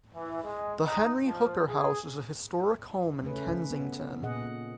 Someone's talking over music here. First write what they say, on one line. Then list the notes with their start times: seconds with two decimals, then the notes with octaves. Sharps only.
The Henry Hooker House is a historic home in Kensington.
0.13 E3
0.43 G#3
0.85 D#4
1.25 F3
1.69 G#4
3.23 C#3 A3 C#4 B4
3.71 B3
4.23 A#2 G#4 D#5 F#5